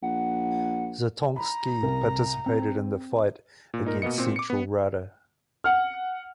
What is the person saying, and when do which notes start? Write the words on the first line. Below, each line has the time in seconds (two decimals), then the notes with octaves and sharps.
Zatonsky participated in the fight against the Central Rada.
0.03 A#1 F#5
1.36 A#5 B5
1.83 C2 A#4
2.46 C4
3.74 A#2
3.85 A#2 D#4 A#4
4.02 B2 A#3 B3 D#5 C#7
4.18 A#2 C4
4.36 D6 C#7
4.50 B3
5.64 F#5 F6